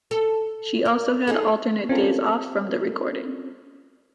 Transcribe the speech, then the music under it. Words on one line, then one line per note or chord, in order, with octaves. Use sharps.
She also had alternate days off from the recording.
A4
A#4
D#4 G#4 A4
C4 C#4 F4 A4 A#4